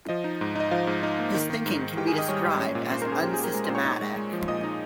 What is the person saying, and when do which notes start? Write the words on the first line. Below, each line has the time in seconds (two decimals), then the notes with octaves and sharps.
His thinking can be described as unsystematic.
0.09 F3 D#5
0.24 D#4
0.41 G#2
0.56 D#4 D#5
0.71 F3 F5
0.87 G#2
1.03 D#4
1.19 A#3
1.34 D#3
1.50 D#3
1.66 G#2
1.81 G#2
1.97 G#2 G4 G5
2.08 G#4 G#5
2.13 D#3
2.19 D#5 D#6
2.28 G3 C#5 C#6
2.45 G#2
2.60 C#4
2.75 A#2
2.91 A#2 C5 C6
3.02 C#4 A#4 A#5
3.12 G#4 G#5
3.23 A#2 G4 G5
3.33 A#2 G#4 G#5
3.44 A#4 A#5
3.54 G#3
3.65 A#2 C5 C6
3.75 C#5 C#6
3.85 D#4 C#5 C#6
4.01 G#3
4.16 G#3
4.33 F3
4.48 A#2 D#5 D#6
4.64 D#4